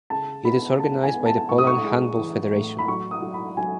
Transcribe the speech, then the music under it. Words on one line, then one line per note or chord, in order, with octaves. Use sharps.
It is organized by the Poland Handball Federation.
C#3 A5
B3 B5
C#3 A5
G#5
B3
A5
A2 C#6
D#6
C#6
G#3
E3
A2
B5
F#3 C#6
D#6
F#3
B5
F#3 G#5